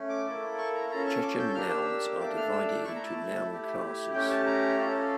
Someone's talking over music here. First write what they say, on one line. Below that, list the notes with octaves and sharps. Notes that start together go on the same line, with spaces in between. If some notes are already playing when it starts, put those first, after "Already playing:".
Chechen nouns are divided into noun classes.
Already playing: A3 C#4
D6
A#3 E4 A4
C#6
A#5
C#4 F4 A4 A#5
C#6
D6
G6
A#3 D4 G4 F6
E6
A3 D4 A4 D6
F6
E6
D6
A3 E4 A4 C#6
A#5
A5
A3 E4 G4
A3 C#4 G4 G5
A5
A#5
C#4 F4 A4